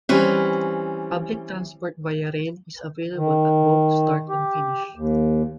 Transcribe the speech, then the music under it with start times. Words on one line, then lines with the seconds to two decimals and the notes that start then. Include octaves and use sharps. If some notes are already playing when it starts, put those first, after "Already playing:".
Public transport via rail is available at both start and finish.
0.09 E3 G3 C4 C#4 B4
3.16 D#3
4.29 G4
4.96 D#2